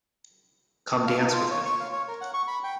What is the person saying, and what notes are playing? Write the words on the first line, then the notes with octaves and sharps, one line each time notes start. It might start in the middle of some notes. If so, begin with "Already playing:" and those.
Come Dance with Me!
F5
D#4
F4
C#5
C#6
F5
C#5
A#4
F#5
C#6
B5
G5